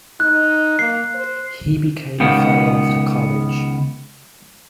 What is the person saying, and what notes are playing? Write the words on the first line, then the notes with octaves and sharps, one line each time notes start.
He became a fellow of the College.
D#4 F#6
A#3 C7
C5
C#2 D#3 B3